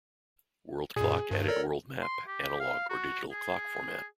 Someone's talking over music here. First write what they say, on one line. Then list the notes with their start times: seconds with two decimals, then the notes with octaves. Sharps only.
World clock added world map, Analog or Digital clock format.
0.96 F#2 A#2 G#4
1.31 G2
1.48 A4 A#4 C#5 D5
2.02 C6
2.28 G4
2.60 F5
2.90 F#4
3.32 G#4